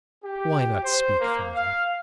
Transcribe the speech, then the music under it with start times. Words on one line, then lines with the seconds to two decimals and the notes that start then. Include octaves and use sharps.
Why not speak, Father?
0.24 G4
0.84 C5
1.21 A#3
1.55 F5